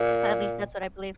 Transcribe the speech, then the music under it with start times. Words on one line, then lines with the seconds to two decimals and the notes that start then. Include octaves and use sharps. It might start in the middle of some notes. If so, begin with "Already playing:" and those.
At least, that's what I believe.
Already playing: A#2